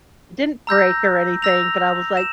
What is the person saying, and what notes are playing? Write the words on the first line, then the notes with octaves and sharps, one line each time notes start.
It didn't break or anything, but I was like,
A#5 E6 G6 A#6
E6 A#6 F7
E7